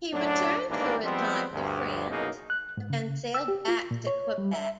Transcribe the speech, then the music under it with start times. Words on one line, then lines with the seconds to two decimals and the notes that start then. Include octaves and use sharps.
He returned for a time to France, but then sailed back to Quebec.
0.13 F#2 A2 F#3 D4
0.69 A1 D#2 G#2 E3 A#3 D4
1.03 F3 G3 G#3 B3 C4
1.53 D2 G2
2.10 C2 F#2 B2 A#3 D#4 G#4
2.50 F#6
2.77 G#2
2.90 C#3
3.34 E6
3.48 G4
3.68 F4
3.91 A#2
4.07 C#5
4.38 G3
4.53 E5